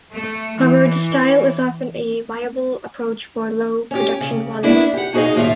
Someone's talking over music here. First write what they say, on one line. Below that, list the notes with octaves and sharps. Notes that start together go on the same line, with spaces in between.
However this style is often a viable approach for low production volumes.
A3
E3
C#4 G4
C#3
A#3 B3 D4 E4
G4 F#5
D#4 F#4 G#4 B4 D#5 F5
D#2 A2 G3 F4 E5 F5